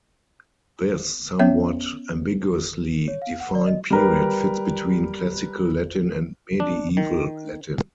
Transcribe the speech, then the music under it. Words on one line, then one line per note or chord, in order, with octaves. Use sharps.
This somewhat-ambiguously-defined period fits between Classical Latin and Medieval Latin.
B3 C#4 C#5 E5
C#5
F5
F#5
D5
D#5
G3 A#4 B4
D4
D#3